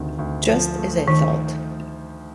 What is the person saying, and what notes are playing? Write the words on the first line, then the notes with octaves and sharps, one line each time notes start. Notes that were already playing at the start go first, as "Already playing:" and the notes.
Just as I thought.
Already playing: D2 C3 D#3
D2
F3
A3
D#3 D#4